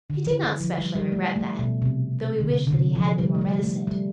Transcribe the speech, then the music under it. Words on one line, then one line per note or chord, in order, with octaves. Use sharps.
He did not specially regret that, though he wished that he had been more reticent.
D3
E3
E3
F3
G3
G3
A3
A3
B2
C3
D3
C3
D3
C3
F3
G3
A3
G3
G3
A3
G3